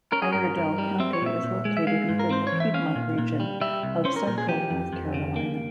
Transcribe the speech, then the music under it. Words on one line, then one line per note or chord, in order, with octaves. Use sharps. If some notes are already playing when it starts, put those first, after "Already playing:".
Iredell County is located within the Piedmont Region of central North Carolina.
C#4 A#4
G#4
G2 A#4
G2
G3
C4 E5
C#5
A#2
E5
A#2
G#3
E5
G#3 F5
G#2
A#4
C4 C5
C#5
E3
E5
C#4 F5
A#2
A#2
G3
G3 E5
C2
C#4 C5
A#4
A#2 A#4
G#4
F3 G4
F2
F2
C#3
A#3